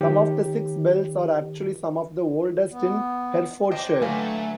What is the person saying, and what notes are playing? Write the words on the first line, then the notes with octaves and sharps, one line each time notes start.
Some of the six bells are actually some of the oldest in Herefordshire.
D#3 G4
B3
D4 C5 D#5 G5
D3 F#3 A3 F#4 G4 B4 F5 G#5